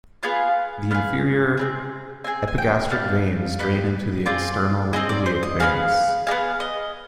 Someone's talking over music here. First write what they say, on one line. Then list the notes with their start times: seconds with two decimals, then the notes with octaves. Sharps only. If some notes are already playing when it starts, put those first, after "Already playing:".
The inferior epigastric veins drain into the external iliac veins.
0.23 B3 F4 G#4 F5
0.90 B3 F4 F5
0.94 G#4
1.57 C4 F4 G#4
2.24 C4 F4 G#4 G#5
2.48 G#5
2.58 G5
2.91 B3 D4 G4 F5
3.59 B3 D4 G4
4.26 C4 F4 G#4 D5
4.93 C4 F4 G#4 D#5
5.09 D5
5.26 C5
5.43 D#5
5.60 B3 D#4 G#4 F5
6.27 D#4 G#4 F5
6.31 B3
6.60 D#5